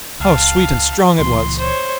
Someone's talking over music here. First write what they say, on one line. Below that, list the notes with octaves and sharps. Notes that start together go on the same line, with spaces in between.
How sweet and strong it was!
C#2 F5 A5
C#2 A#2 E3 C6
C5 C#5